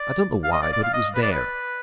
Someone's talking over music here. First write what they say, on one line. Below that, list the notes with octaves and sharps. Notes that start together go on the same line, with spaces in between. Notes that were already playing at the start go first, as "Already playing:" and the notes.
I don't know why, but it was there.
Already playing: D5
F5
D#5
D5
D5
F5
D#5
B4
D5
B4